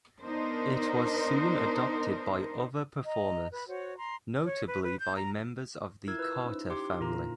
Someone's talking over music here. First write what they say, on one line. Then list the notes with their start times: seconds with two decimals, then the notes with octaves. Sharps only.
It was soon adopted by other performers, notably by members of the Carter Family.
0.22 B3 D4 D#4 A#4 C5
3.05 D#5 A#5
3.52 B4 B5
3.67 F#4 C5 C#5 F#5
3.97 A#5 C6
4.45 C#5
4.67 B4
4.84 B4
5.00 G6
5.16 A#5
6.08 E4 F4 A#4 E6 G#6
6.19 B4 E6
6.45 C#4 D#4 C5
6.70 G4 C6 D6
7.01 A#2 D3 F4 A#4 A#5